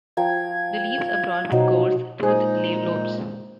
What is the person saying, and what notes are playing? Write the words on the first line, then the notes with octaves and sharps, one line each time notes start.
The leaves are broad with coarse, toothed lobes.
F3 G5 A#5 G#6
B2 F#3 D#4 C5
A#2 G#3 D#4 G#4 C5